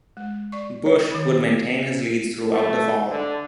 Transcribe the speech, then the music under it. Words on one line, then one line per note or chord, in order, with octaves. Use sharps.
Bush would maintain his leads throughout the fall.
G#3
D5 C#6
C#5
D#3 B5
A3
D3